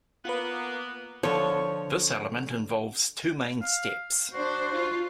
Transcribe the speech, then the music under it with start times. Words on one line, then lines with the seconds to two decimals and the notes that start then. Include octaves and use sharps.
This element involves two main steps.
0.25 A#3 B3 F4 B4
1.23 D3 F3 C#5
3.61 F5
4.33 D4 F#4 C5
4.75 F4